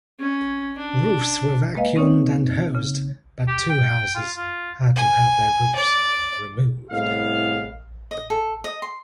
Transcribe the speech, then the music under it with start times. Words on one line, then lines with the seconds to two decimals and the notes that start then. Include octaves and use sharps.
Roofs were vacuumed and hosed, but two houses had to have their roofs removed.
0.20 C#4
0.78 D4
1.75 G#3 A#3 B4 D#5 F5
1.96 C4 C#4 D#4 C#5 D5
2.75 C#3
3.47 G4
3.70 G5
4.15 F4
4.36 F4
4.96 G#5
5.75 D5
6.91 C2 A2 G#3 B3 F5
8.11 D#5
8.30 A4
8.64 D#5
8.82 C6